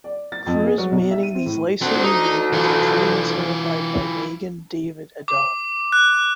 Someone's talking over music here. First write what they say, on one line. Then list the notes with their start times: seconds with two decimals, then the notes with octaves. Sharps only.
Crews manning these lifesaving vehicles are trained and certified by Magen David Adom.
0.04 D5
0.32 A6
0.46 F2
0.66 G#4
0.78 F#3
0.92 B1
1.11 E5
1.23 D#7
1.35 C4
1.46 A2
1.82 D2 C4 F#5
2.03 D#4
2.53 E3 F4
5.28 D6
5.92 F#6